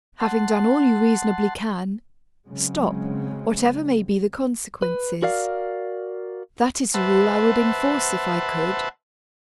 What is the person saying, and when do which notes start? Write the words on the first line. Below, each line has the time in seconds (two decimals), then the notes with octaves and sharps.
Having done all you reasonably can, stop, whatever may be the consequences. That is a rule I would enforce if I could.
0.20 F#5 A5 C6
2.47 C#3 F#3 G#3 C4
4.82 B4
5.22 F#4 A#4 D5 F5
6.94 B4 C5 E5 F#5 A5